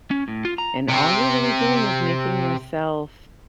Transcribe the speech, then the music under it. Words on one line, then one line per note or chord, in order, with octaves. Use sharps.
and all you're really doing is making yourself
C#4
A2
F4
A#5
C3 C4